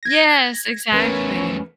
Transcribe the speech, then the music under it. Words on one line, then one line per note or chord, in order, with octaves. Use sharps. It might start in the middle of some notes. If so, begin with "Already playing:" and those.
Yes, exactly.
G#6 A#6
E2 A3 C#4 A#4 B4